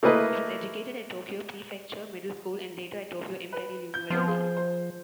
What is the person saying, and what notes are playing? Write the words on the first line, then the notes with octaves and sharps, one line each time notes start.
He was educated at Tokyo Prefecture Middle School and later at Tokyo Imperial University.
A3 A#3 E4 B4 D#5
B4
G6
F3 B3 C4 C5
G#4
C5